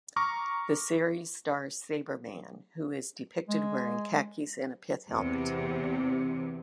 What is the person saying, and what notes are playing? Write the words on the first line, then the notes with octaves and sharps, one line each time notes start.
The series stars Sabreman, who is depicted wearing khakis and a pith helmet.
A#5 C#6 D6 F6 A#6
G#3
E2 C3